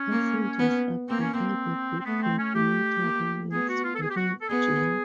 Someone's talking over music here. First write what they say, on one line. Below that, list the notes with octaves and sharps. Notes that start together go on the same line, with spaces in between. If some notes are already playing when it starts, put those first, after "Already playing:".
Passengers are provided with complimentary meals during the journey.
Already playing: C#4
A#3
B3
A#3 C4
C#4
C4
C4
A3 B3
C4
C#4
A3 G4
A#3
B3 G#4
F#4
F4
A4
G#4
G4
F#4
A4
B3 G#4